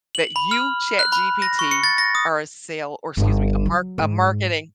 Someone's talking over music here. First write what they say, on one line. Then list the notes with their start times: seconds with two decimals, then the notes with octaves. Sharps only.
that 'you, ChatGPT, are a sale' or excuse me, 'a mark a marketing'"
0.15 F#7
0.36 B5
0.51 F6
0.99 F#6
1.12 B5
1.42 A#6
1.59 C#6
1.71 C#7
1.84 A6
1.98 A#6
2.15 D#6
3.17 G1
3.66 F#3
3.98 G#2